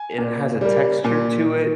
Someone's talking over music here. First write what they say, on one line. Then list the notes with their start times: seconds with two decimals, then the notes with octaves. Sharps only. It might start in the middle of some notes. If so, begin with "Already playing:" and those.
it has a texture to it
Already playing: G#5
0.18 A#2
0.61 G3 A#3
1.04 A#2